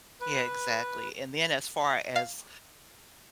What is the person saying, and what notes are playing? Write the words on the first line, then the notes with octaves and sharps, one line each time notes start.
Yeah, exactly, and then as far as,
B4
F5